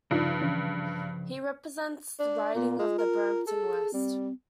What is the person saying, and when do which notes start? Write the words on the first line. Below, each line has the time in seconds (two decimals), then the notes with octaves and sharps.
He represents the riding of Brampton West.
0.11 G2 C#3 F3 D#4 F4 G#4 D5
0.41 E3 C#4 D4
2.19 D4
2.55 A#2 B3
2.79 G#3 F4
2.98 A#4
3.47 G#4 A4
3.94 G3 C4